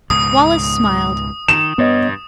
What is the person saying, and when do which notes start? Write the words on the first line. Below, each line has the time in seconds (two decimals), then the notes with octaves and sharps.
Wallace smiled.
0.10 C#2 G#2 B2 D#6
1.48 D#3 E7
1.78 G2 B3 C#5 D#5